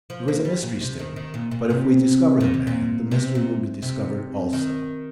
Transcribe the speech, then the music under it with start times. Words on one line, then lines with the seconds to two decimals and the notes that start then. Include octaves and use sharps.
There is a mystery still, but if we discover the man, the mystery will be discovered also.
0.10 F3
0.28 A#3
0.45 G3
0.63 A#2
0.81 C3
0.99 D#3
1.16 D#3
1.34 A#2
1.51 A#2
1.70 C3
2.41 A#2
2.54 C3
2.67 A#2
3.11 C3
3.35 A#2
3.82 C3
4.53 D#3